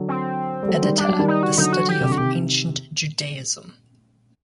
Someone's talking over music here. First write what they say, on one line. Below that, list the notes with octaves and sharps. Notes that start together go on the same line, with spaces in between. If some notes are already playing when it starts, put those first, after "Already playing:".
Editor: The Study of Ancient Judaism.
Already playing: D3 F#3
C4
G3
F#3 A3
D#3 G3
G3 D4
F#3
D#3 G3
D#4
F#4
D3 F#3 D#4
F#4
G4
C3
D3 F#4
C3 D#3 G4